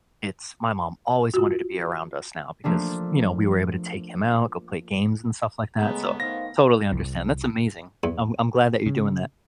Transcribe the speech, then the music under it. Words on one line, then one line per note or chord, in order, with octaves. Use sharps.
it's my mom always wanted to be around us now because, you know, we were able to take him out, go play games and stuff like that, so, totally understand. That's amazing. I'm I'm glad that you're doing that.
F4 F#4
F3 A3 A#3 D4
C#3 G#3 A3 B3 A#5
D#3 C5 F5 A#6
C2
E2
C#3